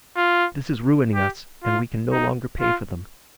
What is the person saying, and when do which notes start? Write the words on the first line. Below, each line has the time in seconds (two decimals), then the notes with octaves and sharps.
This is ruining us, and we can no longer pay for them.
0.17 F4
1.15 G4
1.64 F4
2.12 D#4
2.61 F4